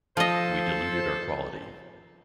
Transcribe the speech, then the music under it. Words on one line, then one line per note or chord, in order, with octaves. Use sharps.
We diluted our quality.
F3 A4 C5 D#5